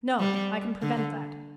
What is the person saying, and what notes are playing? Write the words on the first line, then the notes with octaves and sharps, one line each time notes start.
"No, I can prevent that."
G3
D3